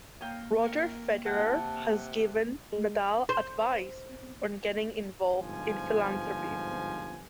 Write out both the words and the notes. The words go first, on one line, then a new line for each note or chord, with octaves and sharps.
Roger Federer has given Nadal advice on getting involved in philanthropy.
A#3 C#5 F5 G5 A#5 D#6
A#4 F#5 C#6
C3 F#5 A5
G#3
C5
G1 G#2 F3 G#5